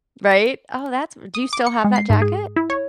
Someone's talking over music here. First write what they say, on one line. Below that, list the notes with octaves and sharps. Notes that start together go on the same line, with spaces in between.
Right? Oh, that's do you still have that jacket?
D#6
D6
C#7
G#3
C7
G#2
G#4
E4
C#5